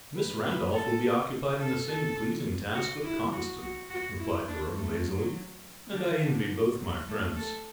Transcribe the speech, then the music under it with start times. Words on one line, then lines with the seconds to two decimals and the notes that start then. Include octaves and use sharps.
"Miss Randolph will be occupied in the same pleasing task with Conniston," replied Durham, lazily, "and I envy both my friends."
0.16 B4
0.44 B4
0.73 A4
1.60 A4
1.89 A4
2.75 F#4
3.04 E4
3.33 F#4
3.62 F#4
3.90 F#4
4.19 E4
4.48 D4
4.77 A3
5.05 F#3
5.93 D3
6.21 D3
6.79 F#3
7.08 A3
7.36 A4